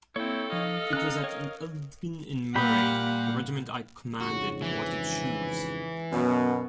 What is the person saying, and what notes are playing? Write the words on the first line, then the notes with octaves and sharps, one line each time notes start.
It was at Elgin in Murray, the Regiment I commanded wanted shoes.
A#3 C4 E4 A4 C#5 G5
F3 D#4 D#5 F5
C#4 A#5 F#6
A#4 C#5 G5
A#2 G3 A#3 G4 A#4 F5 F#5 B5
F2 G#2 C#3 F#4
E3
F#2 B2 B3